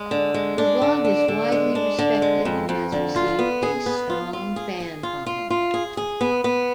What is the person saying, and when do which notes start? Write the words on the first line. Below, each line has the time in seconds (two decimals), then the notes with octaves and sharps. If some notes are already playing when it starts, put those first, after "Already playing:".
Her blog is widely respected and has received a strong fan following.
Already playing: G#3
0.11 D3
0.34 G#3
0.58 D4
0.82 D3
1.04 D4
1.28 D3
1.52 G#3
1.75 D4
1.99 D3
2.22 G#3
2.45 F2
2.69 F2
2.92 D3
3.16 F4
3.39 B3
3.63 G#4
3.86 B3
4.10 F4
4.33 F4
4.56 G#4
4.80 G#4
5.03 F4
5.26 F4
5.50 F4
5.74 G#4
5.97 G#4
6.21 B3
6.44 B3